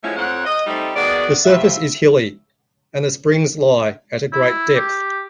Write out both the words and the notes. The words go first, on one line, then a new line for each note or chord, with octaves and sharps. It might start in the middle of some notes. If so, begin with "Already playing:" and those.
The surface is hilly, and the springs lie at a great depth.
F3 F#3 G#3 A3 C#4 E4
F2 C4 C#5 F#5
D#5
G3 A3 C4 D#4
D#3 B3 F#4 G#4 D5
A2 C3 F4 E5
E4
G4